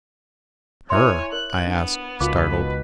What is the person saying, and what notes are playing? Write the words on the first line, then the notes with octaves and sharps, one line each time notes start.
"Her?" I asked, startled.
E4 C#5 E5 G#5 C6
A#4 C#5 F#6
B3 D4
C#2 B2 D#3 F4 B4 F5 D6